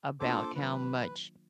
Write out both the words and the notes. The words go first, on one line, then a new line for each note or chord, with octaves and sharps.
about how much
A#3 D4 F4 A4 C5 D6
D#3 F#3 B4